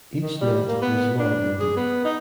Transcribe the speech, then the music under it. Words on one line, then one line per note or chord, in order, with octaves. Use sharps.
Each net was long and deep.
D#3
G3
A#3
B3
D4
G#4
B3
D#4